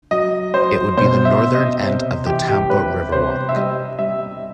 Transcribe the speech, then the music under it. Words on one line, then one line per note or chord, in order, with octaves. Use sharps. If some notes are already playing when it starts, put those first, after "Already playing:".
It would be the northern end of the Tampa Riverwalk.
F#3 D#5
F#3 C5
B2 C5
E5
B2
D#5
C3 C5
E3 G4
G4
G3 B4
C3 C5
E5
G3 D#5
G3 E5